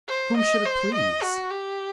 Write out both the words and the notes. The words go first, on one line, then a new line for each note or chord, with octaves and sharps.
Whom should it please?
C5
D#5
C5
D#5
F#4
G4